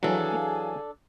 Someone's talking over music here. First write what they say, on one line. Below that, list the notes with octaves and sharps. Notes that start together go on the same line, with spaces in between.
And I think
E3 F#3 D4 G#4 A4 F5 G#5